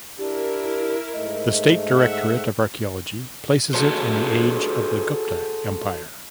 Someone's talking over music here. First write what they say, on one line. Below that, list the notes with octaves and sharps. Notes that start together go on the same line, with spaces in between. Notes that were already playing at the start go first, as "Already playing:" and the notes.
The State Directorate of Archaeology places it in the age of the Gupta Empire.
D4 E4 G4 A#4
G#2 A3 D#5
E5 F#5
F#4 G#4 A4 C5